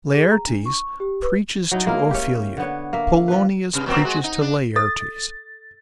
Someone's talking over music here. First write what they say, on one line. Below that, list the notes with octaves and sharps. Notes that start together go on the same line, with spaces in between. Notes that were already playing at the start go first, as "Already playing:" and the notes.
Laertes preaches to Ophelia; Polonius preaches to Laertes.
G#4
A#5
D4
C#6
G4
B4
F#3 D#4 E4
G#3 A#3 E4 A#4
C#4 G4
D3 B3 C#5
A#3 E5
F3 B4
G2 C3
A#2 F#3 C4
G#3 F#4
D#4
D4
A4 A6